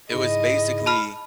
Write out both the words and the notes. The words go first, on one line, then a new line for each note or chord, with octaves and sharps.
it was basically
G#2 C#3 E4 D#5
A5 B5 F6